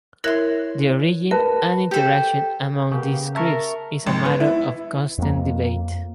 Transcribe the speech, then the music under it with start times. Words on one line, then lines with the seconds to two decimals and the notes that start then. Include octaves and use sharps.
The origin and interaction among these scripts is a matter of constant debate.
0.24 E4 A#4 C#5 E5 C6 F#6
1.31 A#4 B4 A5
1.91 G4 A4 C5
2.92 C#3 A#3 B3 G4
3.35 A#4 E5 A5 C#6
4.07 G#1
4.25 B3
4.40 E4
5.18 F2 A#3